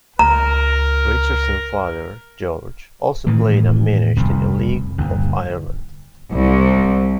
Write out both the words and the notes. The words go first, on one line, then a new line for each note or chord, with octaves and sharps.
Richardson's father George also played and managed in the League of Ireland.
C#2 A#4 A#5
A2 D#3 E3
F1 C2 F2
G1 D#2
C2